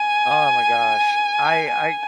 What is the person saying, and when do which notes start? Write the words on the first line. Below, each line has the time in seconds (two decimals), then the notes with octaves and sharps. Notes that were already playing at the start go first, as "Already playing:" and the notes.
Oh, my gosh. I I
Already playing: G#5
1.68 G#5